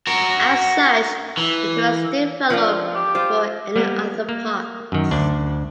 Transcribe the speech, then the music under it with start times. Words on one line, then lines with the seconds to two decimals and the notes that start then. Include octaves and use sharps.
As such, it was developed before any other parks.
0.07 F#4 A#4
1.37 E3
2.50 F3 D4 F4
2.95 G4
3.15 F4 C5
3.76 G3 A#3 B3
4.29 A#3
4.92 F#2 D#3
5.11 D2 D4